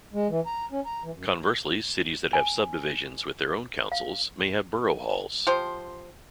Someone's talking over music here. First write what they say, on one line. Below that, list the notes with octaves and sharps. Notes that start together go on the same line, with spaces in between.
Conversely, cities that have subdivisions with their own councils may have borough halls.
G#3
E3
A#5
C#4
A#5
E3
F#2
G#5
F5
F3 G4 C5